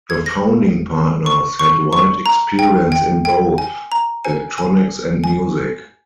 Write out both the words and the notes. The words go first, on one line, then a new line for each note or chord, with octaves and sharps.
The founding partners had wide experience in both electronics and music.
G#6
A#6
C#6
C#6
C#6
A#5
G5
G5
G5
G#5
A#5
G#5
G#5
G#5